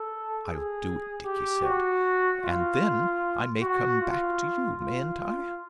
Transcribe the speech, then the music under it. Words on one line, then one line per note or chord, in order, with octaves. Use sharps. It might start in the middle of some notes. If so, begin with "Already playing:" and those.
"I'll do it," Dickie said, "and then I may come back to you, mayn't I?"
Already playing: A4
G#4
G4
F#4
F4
F#4
F4
F4
F4